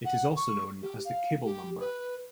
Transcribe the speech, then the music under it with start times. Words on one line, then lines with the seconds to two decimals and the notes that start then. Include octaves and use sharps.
It is also known as the Kibel number.
0.05 F#5
0.36 C#6
0.82 G4
1.05 F5
1.45 G4
1.80 B4